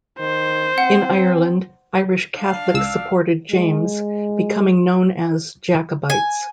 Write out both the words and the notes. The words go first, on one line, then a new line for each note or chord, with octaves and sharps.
In Ireland, Irish Catholics supported James - becoming known as Jacobites.
D#3 C5
C4 F#5
D4 F5
C#2 E6
G#3
G#5